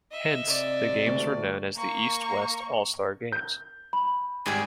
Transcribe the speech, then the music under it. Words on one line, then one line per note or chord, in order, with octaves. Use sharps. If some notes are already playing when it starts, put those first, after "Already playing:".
Hence, the games were known as the "East-West All-Star Games".
D#5 E5
C3 D5
D2
A#3 C#6
G6
B5
G#1 G#2 G3 G#4 G5 G#5